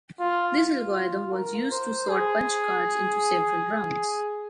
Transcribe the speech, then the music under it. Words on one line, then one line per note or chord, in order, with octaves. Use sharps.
This algorithm was used to sort punch cards into several rounds.
F4
F4
A#4
C5
G#4